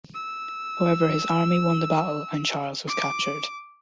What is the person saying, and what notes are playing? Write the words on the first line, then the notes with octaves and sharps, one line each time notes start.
However, his army won the battle and Charles was captured.
E6
D6